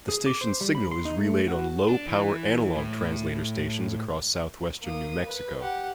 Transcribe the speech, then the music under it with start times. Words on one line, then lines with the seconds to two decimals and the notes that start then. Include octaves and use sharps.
The station's signal is relayed on low-power analog translator stations across southwestern New Mexico.
0.09 G#4
0.26 D6
0.41 C5
0.61 G3
0.75 B5
0.91 C6
1.05 D#4
1.18 A3
1.48 F#4
1.88 D4
2.07 E3
2.76 A2
4.82 A#3 D#6
5.26 B4
5.61 G4 F#5